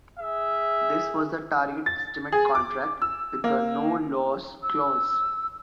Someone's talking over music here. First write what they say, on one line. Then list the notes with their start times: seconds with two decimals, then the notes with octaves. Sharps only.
This was a target estimate contract with a 'no loss clause'.
0.20 G#4 E5
1.86 A6
2.32 G#4
2.55 D6
3.02 E6
3.44 A#3
4.63 E6